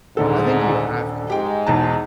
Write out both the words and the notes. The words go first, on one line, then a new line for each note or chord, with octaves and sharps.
I think you have to,
D#1 G#2 D3 A4
G#2 G#3 G4 G5
B1 E2 A5